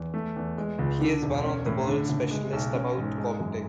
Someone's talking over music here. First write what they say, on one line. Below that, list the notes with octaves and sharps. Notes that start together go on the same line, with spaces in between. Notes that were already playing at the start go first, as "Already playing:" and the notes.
He is one of the world specialists about Coptic.
Already playing: E2
A3
E2
G#3
C#2
D3
E1
C#4
A2
D3
F#1
G#3
B1
C#4
G#2
G#3
F#2